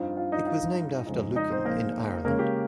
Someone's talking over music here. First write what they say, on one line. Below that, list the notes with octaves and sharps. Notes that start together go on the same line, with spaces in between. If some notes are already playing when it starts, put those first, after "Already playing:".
It was named after Lucan, in Ireland.
Already playing: G2 F3 C4 D#4 F4 F5
F4 F5
D#4 D#5
F4 F5
F2 C#3 G#3 D#4
D#4 D#5
C4 C5
A#3 A#4
C#3 G#3 A#3 C#4 A#4
G4